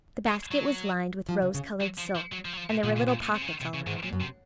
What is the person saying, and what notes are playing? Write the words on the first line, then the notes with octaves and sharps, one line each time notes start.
The basket was lined with rose-colored silk, and there were little pockets all around it.
G#3
F#3
F3
C#3
C#3
F#3
F3
F3
F#3
F3
F#3
F3
A#2
A#2 D#3
C#3
C3
A#2
C3
C#3
D#3
C3
C#3
G#2 D#3
A#2
F#2
C3